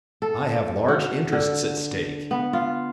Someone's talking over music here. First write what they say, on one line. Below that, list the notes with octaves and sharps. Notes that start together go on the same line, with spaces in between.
I have large interests at stake.
A4
F#4
D3
B3
F4